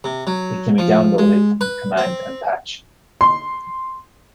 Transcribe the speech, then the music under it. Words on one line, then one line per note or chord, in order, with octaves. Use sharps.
It can be downloaded from Command and Patch.
C3
F#3
F3
G#3
B4
C4
C6